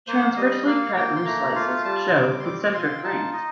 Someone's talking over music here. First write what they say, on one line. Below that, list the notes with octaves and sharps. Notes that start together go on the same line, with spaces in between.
Transversely cut root slices show concentric rings.
A#3 C5
F5
G3 D#5
A#3 F5
F5
A#3 G5
C6
A3 A#5
F4 F5
G3 A5
G3 D6
C6
C4 D6
D6
F4 C6
G5
D#4 A5
D#4 D#5